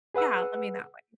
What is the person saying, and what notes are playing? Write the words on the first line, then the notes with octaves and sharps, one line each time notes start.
yeah, I mean that way.
G#4 B4 F#5 E6